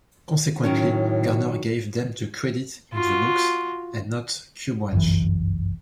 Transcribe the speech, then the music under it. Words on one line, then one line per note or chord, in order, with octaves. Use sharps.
Consequently, Gardner gave them the credit in the book and not Q Branch.
A2 D#3 F#3 C#4
F4 F#4
G1 C2 F#2 E3